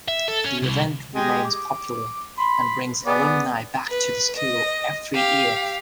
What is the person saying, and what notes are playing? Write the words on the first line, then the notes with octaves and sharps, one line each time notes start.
The event remains popular and brings alumni back to the school every year.
E5
A4
C#4
C2
G#3 G4 D#5
D6
B5 C6
B3 G#4 D5
B4
D#5
G4 F5